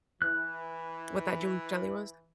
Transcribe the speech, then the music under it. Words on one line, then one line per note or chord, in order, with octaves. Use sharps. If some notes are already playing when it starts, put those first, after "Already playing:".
what that June's Deli was?
E3 F#6